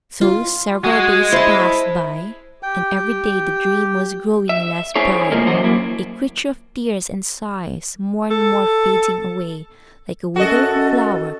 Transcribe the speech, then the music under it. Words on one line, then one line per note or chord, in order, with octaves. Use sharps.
So several days passed by, and every day the dream was growing less bright, a creature of tears and sighs, more and more fading away, like a withering flower.
F4
G#3 F#4 G#4
E4 C5 A5
G4 G5
E5
C4 E4 G#4 C#5
A2 C3 F3 G#3 A#3
F#2 E3 F#3 C5
F#2 A#3 E4
A4
F#2 F#4 A4 D#5